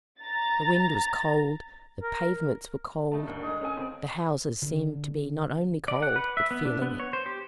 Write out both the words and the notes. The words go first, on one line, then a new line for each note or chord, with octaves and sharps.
The wind was cold, the pavements were cold, the houses seemed to be not only cold but feeling it.
A#5 A6
A#4
G3 A3 D#4 A5
D#2 D3
G#3 D4 D#4 D#6
C#4 A4 G#5
C#3 C4 D5
D3
D5
F#5
B4
E5
B3
D4
B3
C#5
C5
G4